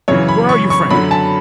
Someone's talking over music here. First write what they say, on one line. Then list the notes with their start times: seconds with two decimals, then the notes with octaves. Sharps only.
Where are you, Frank?
0.08 F#2 C#3 E3 C#5
0.28 B5
0.49 C#6
0.70 C#6
0.90 F#2 D3 F#3 B5
1.11 A5